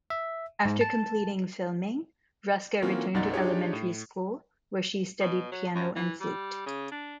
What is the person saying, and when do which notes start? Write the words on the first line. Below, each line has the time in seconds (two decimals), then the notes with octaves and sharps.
After completing filming, Rosca returned to elementary school, where she studied piano and flute.
0.10 E5
0.65 G#2
0.81 A5
2.82 E3 A#3 C4 C#4 F4 F#4
3.14 B1 F#2 D#4 D5 F#5 A6
3.33 D4 D#4 F4 G4 G#4 C#5
3.73 A2
5.21 B2
5.52 F#3
5.75 F#2
5.96 E3
6.20 G3
6.66 C#3
6.91 D4